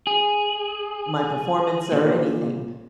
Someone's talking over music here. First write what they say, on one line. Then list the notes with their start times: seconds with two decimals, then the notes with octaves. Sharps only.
my performance or anything.
0.07 G#4
1.92 A#2